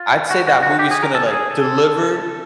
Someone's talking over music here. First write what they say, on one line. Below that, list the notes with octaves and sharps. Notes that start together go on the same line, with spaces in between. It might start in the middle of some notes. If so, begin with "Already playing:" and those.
I'd say that movie's gonna, like, deliver
Already playing: F4
F#4
F#4
F#4
G4
G#4
A#4
A4
G#4
A4